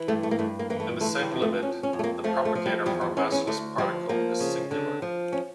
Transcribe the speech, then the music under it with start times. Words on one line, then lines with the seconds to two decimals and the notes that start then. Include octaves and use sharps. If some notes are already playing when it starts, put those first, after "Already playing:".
In the same limit, the propagator for a massless particle is singular.
Already playing: E3
0.08 G2 A3
0.23 A3
0.31 A#3
0.39 G2 A3
0.59 A#3
0.70 E3 A#3
0.80 A3
1.01 D3 A3
1.21 G3
1.32 F2
1.42 A3
1.62 F2 C#4
1.83 C#4
1.93 F2
1.99 A3
2.04 A#3
2.24 F3 A3
2.45 A3
2.55 F3
2.66 G3
2.86 E2 G3
3.01 G3
3.17 E2 C#4
3.32 C#4
3.47 D2 A3
3.78 F3 G3
4.09 F3 A#3
4.40 C#3
4.71 D3
5.02 F3
5.32 C#4